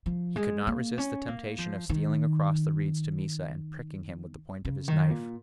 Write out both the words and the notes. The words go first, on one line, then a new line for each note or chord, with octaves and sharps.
He could not resist the temptation of stealing across the reeds to Mysa and pricking him with the point of his knife.
F3
G#3
A#3
C#4
A#3
F3
D#3
C#3
D#3
A#2